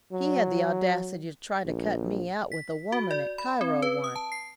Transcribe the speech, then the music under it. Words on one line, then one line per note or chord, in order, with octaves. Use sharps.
He had the audacity to try to cut me out with a woman at Cairo once.
F#3
A#1
B6
F#4
D5
B5
C4
B4
D#6
A5
C7